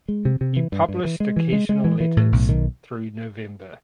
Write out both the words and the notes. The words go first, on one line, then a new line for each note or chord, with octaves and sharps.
He published occasional letters through November.
G#3
C3
C3
E3
G2
G2
E3
G#3
E3
G#3
G#3
E3
E3
A2
B1
D#3